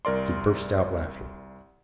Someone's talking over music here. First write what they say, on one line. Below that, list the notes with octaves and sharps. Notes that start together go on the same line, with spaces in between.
He burst out laughing.
C2 A#4 D5 C6